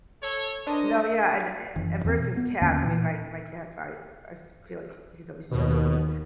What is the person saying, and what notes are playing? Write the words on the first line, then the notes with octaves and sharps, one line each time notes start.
No, yeah, and, eh, and versus cats, I mean, my my cats, I I feel like he's always judging me,
A4 C#5
D4 A#4 C5 D#5
F#1 E3
E2 E3 A3 C4
B2
B3
D#2 D3 A#3 C#4
A#2 E3
D#2 B2